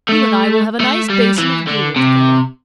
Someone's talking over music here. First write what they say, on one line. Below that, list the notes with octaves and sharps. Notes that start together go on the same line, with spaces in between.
You and I will have a nice basin of gruel together.
A3
A3
G3
E3
D3
C3